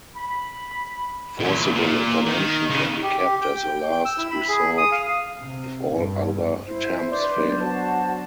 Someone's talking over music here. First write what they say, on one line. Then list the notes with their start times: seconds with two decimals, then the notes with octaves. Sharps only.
Forcible intervention can be kept as a last resort if all other attempts fail.
0.16 B5
1.40 E2 A#2
1.75 A#2
2.26 D#3
2.70 C#3 D#4
3.03 G4
3.19 G4
3.42 G5
3.56 G5
3.92 G5
4.05 E6
4.18 E4
4.31 B5
4.48 G#4
4.78 D#6
4.92 F5
5.38 C3
5.92 G2
6.65 E4 C5
7.11 B4 D5 C6 G6
7.37 F#3 B3 D4
7.60 F#4 C5 A5